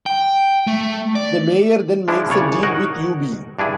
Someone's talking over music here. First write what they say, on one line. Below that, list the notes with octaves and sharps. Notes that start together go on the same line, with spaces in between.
The mayor then makes a deal with Eubie.
G5
A3
D5
F3 G#3 D4 E4
C2 C#3 C#5 D5
D#4 F#4 A#4 C#5 F#5
G2 D4 E4 G#4